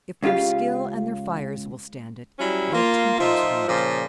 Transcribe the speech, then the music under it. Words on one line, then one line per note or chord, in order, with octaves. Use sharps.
If their skill and their fires will stand it, their tempers won't.
C#2 C#3 F4 G4 F5
F#3 G3 C#4 E4
A#3 F4
F3 D#4 F4 E5
A#2 C#3 F3